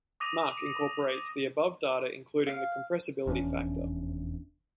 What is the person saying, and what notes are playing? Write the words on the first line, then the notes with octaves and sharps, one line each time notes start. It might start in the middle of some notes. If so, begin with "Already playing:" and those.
Mach incorporates the above data including the compressibility factor.
D6 D#6 A#6 D#7 F7
F5
F1 E2 C#4 D4